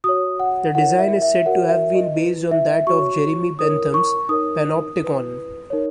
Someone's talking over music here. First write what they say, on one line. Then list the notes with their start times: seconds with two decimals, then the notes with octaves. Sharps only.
The design is said to have been based on that of Jeremy Bentham's Panopticon.
0.04 F#4 C#5 D#6
0.40 F#5
0.75 E4 A#4 C#5 F#5
0.99 E5
1.22 E5
1.45 F#4 A#4 C#5 F#5
1.69 E5
1.94 D#5
2.16 E4 B4
2.51 E5
2.87 F#4 C#6
2.92 C#5
3.59 E4 A#4 C#5 D#6
3.94 C#6
4.29 D#4 A#4 C#5 D#6
5.01 E4 B4
5.70 D#4 A#4 C#5